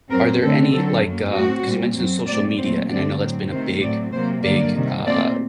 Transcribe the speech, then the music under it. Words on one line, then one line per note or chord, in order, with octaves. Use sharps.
are there any, like, um 'Cause you mentioned social media, and I know that's been a big, big, uh,
F#2 F#3 C4 A#4
D3 A3 C4 A4
D3 F#3 C4 A4
F#2 F#3 A#3
A2 A3 C4 F#4
A#2 G3 C4
F#2 F#3 C4
A#2 F#3 A3 C4 D5
A#2 F#3 A3 C4 C5
G2 D3 A3 C4 D5
A2 F#3 C4
C3 D#3 A3 C4 C5
A2 F#3 A3 C4 D5
C3 F#3 A#3 C5
G2 D3 F#3 A#3 D5
C3 D#3 G3
A#2 A3 C4 D5